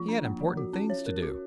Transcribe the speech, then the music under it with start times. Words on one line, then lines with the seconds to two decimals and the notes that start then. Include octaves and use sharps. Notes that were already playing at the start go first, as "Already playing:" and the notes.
He had important things to do.
Already playing: F3 A#3 F4
0.08 D4
0.25 A#3
0.41 F3
0.57 F#4
0.73 C#4
0.90 C#5
1.06 A#4
1.23 F#4